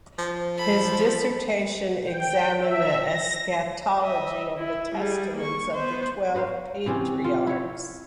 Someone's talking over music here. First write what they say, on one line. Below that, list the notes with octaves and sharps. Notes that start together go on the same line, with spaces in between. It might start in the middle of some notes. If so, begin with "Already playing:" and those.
His dissertation examined the eschatology of the Testaments of the Twelve Patriarchs.
F3
A4 B5
G5
E5
A#6
D#5 E5
E4
G3 G#4
A#3 C#6
B3 C5
F#4 B4 C5 F5
C3 E3 C4 C#4
F4
E4 C#5